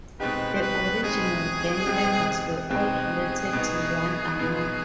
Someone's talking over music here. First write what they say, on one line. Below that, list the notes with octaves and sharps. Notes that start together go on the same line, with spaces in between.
The original gang members were all related to one another.
B2 G#3 C4 D#4 G4 B4
C5
B4
B2 G#3 C4 D#4 G4 G#4
B2 G#3 C4 D#4 G4
B2 G#3 C4 D#4 G4 G#4
B2 B3 D#4
B2 B3 D#4